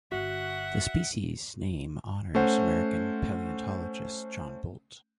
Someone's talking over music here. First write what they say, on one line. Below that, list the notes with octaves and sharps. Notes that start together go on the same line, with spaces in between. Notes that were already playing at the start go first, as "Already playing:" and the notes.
The species name honors American paleontologist John Bolt.
G1 F#4 E5 F#5
A3 C#4 C5 F#5